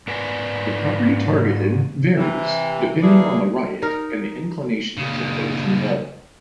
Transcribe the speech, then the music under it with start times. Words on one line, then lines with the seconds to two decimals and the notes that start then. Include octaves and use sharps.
The property targeted varies depending on the riot and the inclinations of those involved.
0.08 G#2 A#4 B4 D5 G#5
2.17 C3 E3
3.03 A#2 D4 G#4 B4 E5
3.82 D#4 A#4
4.97 A#2 C#3